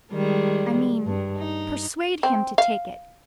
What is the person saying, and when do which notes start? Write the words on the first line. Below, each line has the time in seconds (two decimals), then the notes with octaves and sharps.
I mean, persuade him to take it....
0.12 D#3 G3 G#3
1.07 G2
1.37 D#4
2.23 C4
2.58 F5